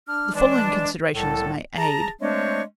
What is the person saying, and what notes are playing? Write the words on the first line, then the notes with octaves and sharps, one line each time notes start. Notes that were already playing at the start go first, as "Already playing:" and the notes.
The following considerations may aid.
D4 F6
E3 G#3 D4
C2 A2 A4
G#4 A5 A#5
G#3 A3 C4 D4 C#5